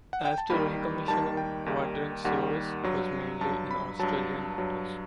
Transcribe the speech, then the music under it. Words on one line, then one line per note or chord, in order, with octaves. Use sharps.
After recommissioning, "Quadrant"s service was mainly in Australian waters.
F#5
G5
A5
D#2 D#3 G3 B5
D#2 D#3 G3 A5
G5
D#2 D#3 G3
D#2 D#3 G3 F#5
G2 F#3
G2 F#3 A5
B5
G2 F#3 A5
G2 F#3